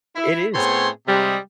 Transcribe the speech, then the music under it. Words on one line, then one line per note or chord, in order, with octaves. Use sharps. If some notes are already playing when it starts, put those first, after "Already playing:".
It is.
E4
A2 B3 C4 G#4 C#5 C6
C3 G3 G#3